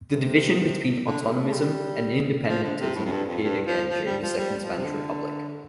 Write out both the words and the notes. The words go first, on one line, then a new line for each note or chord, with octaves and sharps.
The division between autonomism and independentism appeared again during the second Spanish Republic.
C3
D3
C3
A3
A3
G3
F3
D3
C3
A2
F2
G2
F2
G2
F3
F3
G3
F3
G3
F3
C3
D3